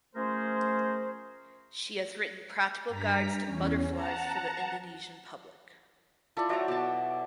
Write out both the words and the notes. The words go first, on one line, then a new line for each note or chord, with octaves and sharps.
She has written practical guides to butterflies for the Indonesian public.
F3 A3 C#4 G#4 A#4 C5
G2 A#5 B6
E2 C#4
F#5 A5 A#5
E4 F4 A4 D5
F#3 F#4 C5 D5 E5 A#5
B2 A5